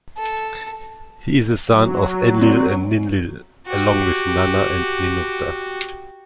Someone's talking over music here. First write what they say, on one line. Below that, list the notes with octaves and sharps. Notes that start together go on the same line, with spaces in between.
He is a son of Enlil and Ninlil, along with Nanna and Ninurta.
A4
F#3
C4 D5
F#4 G4